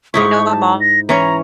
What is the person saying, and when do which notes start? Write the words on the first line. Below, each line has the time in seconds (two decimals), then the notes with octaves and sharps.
know my mom,
0.14 G#2 D#4 E4 C#6
0.48 A5
0.81 A#6
1.09 E3 C#4 C#5 A#5